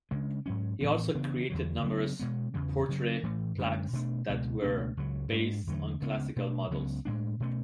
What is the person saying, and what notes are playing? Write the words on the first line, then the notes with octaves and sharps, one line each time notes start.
He also created numerous portrait plaques that were based on Classical models.
C#3 G#3 D4
G#2 F#3 C#4
A2 E3 B3
C#3 E3 B3 D4
E2 D3 F#3
C#3 F#3 B3 D4
B2 G#3 B3
E2 C#3 E3
C#3 F#3 C#4
A2 E3 A3
F#2 D3 G#3 C#4
B2 A3 D4
C#2 B2 G#3
C#2 B2 A3 D4
C#2 C#3 F#3
G#2 G#3 D4
E2 D3 F#3 A3
D2 C#3 G#3 B3
B2 A3 D4
C#2 C#3 F#3 B3
A2 G#3 D4
B2 A3 C#4